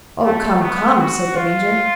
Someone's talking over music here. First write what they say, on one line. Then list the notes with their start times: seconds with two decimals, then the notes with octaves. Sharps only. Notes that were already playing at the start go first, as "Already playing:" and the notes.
"Oh, come, come!" said the Major.
0.23 A3
0.62 B3
0.99 F#4
1.36 F4